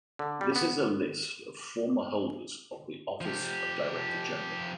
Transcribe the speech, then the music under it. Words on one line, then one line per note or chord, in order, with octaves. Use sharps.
This is a list of former holders of the office of director-general.
D3
G3
B3
F3 G4